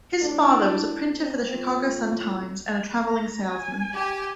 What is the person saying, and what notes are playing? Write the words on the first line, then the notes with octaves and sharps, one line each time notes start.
His father was a printer for the "Chicago Sun-Times" and a traveling salesman.
A2 D4
C4
F2
A2
A#5
G#5
G4